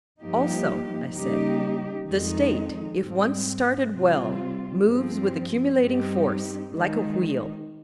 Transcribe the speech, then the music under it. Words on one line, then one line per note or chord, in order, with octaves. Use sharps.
Also, I said, the State, if once started well, moves with accumulating force like a wheel.
G2 F3 A#3 D#4 G4
C#3 G3 A#3 D#4 G4
F2 D#3 G#3 D#4
G#2 G3 C4
C3 G3 C4 F4
G2 F3 C4
G2 G3 C4 D#4 G4
D#3 G#3 D#4